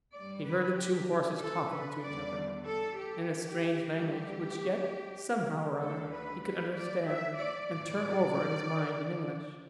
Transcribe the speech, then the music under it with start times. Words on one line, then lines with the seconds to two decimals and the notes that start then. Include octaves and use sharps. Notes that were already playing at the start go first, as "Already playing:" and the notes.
He heard the two horses talking to each other--in a strange language, which yet, somehow or other, he could understand, and turn over in his mind in English.
0.14 G2 G3 D5
0.46 B4
0.77 G4
1.40 A4
1.71 B4
2.03 E2 D3 G3 D5
2.65 A4
2.97 G4
3.44 G4
3.91 D2 D3 G3 G4
5.80 D2 D3 G3 A4
6.11 B4
6.43 B4
6.74 D5
7.06 E5
7.37 D5
7.68 A2 E3 G3 D5